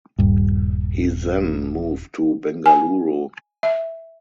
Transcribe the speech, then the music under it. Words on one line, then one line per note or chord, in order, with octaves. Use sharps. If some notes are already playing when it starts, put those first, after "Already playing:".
He then moved to Bengaluru.
D#1 G2
G#5
E5